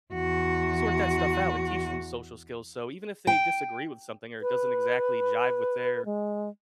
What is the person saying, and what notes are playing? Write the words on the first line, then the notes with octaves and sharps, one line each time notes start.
sort that stuff out and teach them social skills, so even if they disagree with something or it doesn't exactly jive with their
E2 F#4
G5
B4
G#3